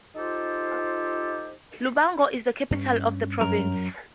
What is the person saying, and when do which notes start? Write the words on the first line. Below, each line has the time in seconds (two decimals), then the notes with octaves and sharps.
Lubango is the capital of the province.
0.15 D#4 F4 G4 A4 C5
2.71 G2 C#4
3.41 F#2 A#4